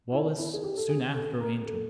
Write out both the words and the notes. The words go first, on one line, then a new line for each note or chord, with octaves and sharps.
Wallace soon after entered.
E4
E4
G#4
G4
A4
G#4
A4
A#4
A4